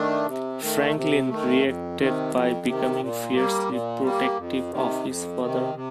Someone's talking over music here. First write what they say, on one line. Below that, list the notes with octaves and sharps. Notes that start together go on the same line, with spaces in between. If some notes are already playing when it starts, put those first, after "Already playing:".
Franklin reacted by becoming fiercely protective of his father.
Already playing: D#3 A3 D4
C3
D#3 A3
C3
D#3 A3
F2
C3 D#3
F2
C3 D#3
A#2
G3 A#3
A#2
G3 A#3
F2
C3 D#3
F2
C3 D#3
C3